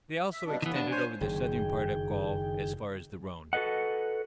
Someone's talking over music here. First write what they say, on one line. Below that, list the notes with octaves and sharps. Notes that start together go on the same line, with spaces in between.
They also extended over the southern part of Gaul as far as the Rhone.
E5
G2 B2 D4
D#2 D#3 E3 B3
D4
C5 C#5 G#5
F#1 D#3 G#4 G5
F#4 A4 B4 D#5 F#5